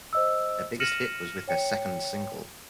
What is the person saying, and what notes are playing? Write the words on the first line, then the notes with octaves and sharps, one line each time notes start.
Their biggest hit was with their second single.
C5 D#5 E6
F6 A#6 C#7 D#7 E7 F#7
C#5 G5 C#7